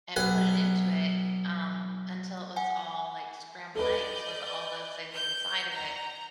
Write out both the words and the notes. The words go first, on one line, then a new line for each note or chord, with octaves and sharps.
and put it into it, um, until it was all like scrambled eggs with all those things inside of it.
B1 F#5 G#5
F#5 G#5
A4 B4 D5 D#5 G6
G6
A#5